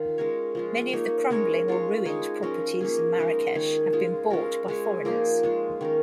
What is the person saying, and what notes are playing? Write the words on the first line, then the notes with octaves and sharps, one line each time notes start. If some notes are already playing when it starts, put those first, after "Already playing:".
Many of the crumbling or ruined properties in Marrakech have been bought by foreigners.
Already playing: D#3 F4
G#3 C#4 A#4 C#5
F3 G#3 F4
A#3 D#4 C#5
G#3 C#4 A#4 C#5
G#3 F4 C#5
G#3 D#4 G#4 C#5
F3 C#4 A#4
A#3 C#4 G#4
F3 G#3 D#4 A#4
D#3 C#4 G#4 C#5
G#3 C#4 F4 G#4
G#3 C#4 F4 A#4
G#3 C#4 G#4 C#5
F3 A#3 D#4 G#4
G#3 F4 C#5
D#3 C#4 A#4